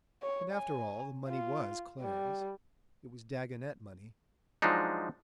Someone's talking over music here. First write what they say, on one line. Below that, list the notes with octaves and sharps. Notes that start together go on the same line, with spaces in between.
And after all, the money was Clare's--it was Dagonet money.
C#5
G#5
F4
G3
F3 F#3 G#3 D4 D#4